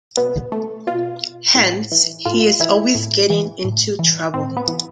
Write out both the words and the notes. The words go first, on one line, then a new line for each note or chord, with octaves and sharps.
Hence, he is always getting into trouble.
B2 B3
A3
B2 F4
A2
E3
A2 F4
E3 E4
A2
E3
A2
E3
A2 C4
B3
E3